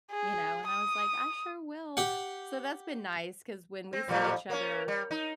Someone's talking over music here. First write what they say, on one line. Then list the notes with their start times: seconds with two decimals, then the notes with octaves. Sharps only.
you know? And, I was like, "I sure will." So, that's been nice 'cause when we see each other,
0.11 G#4
0.67 D#6
1.97 G4 F#5
3.93 C4
4.08 F2 A2 G3
4.50 A#3 C#4
4.88 G3
5.11 D#4